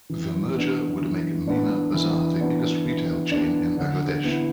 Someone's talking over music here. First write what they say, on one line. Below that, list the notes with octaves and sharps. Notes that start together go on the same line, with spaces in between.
The merger would make Meena Bazar the biggest retail chain in Bangladesh.
E3
B3 D4
E3
B3 D4
E3
B3 D4
E3
B3 D4
D3
B3 E4